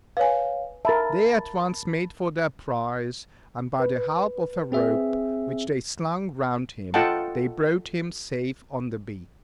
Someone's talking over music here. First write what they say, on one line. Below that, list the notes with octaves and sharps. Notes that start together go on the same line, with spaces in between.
They at once made for their prize; and by the help of a rope, which they slung round him, they brought him safe on the beach.
B4 C#5 F5 G#5
A#4 E5 A5 B5 A6
B4
C4 G#4 E5
F4 A4 D#5 F#5 G5 A5